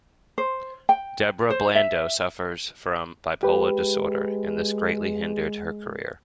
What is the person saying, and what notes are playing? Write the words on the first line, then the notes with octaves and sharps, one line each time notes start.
Deborah Blando suffers from bipolar disorder and this greatly hindered her career.
C5
G5
C5
E5
G#3 G4 B4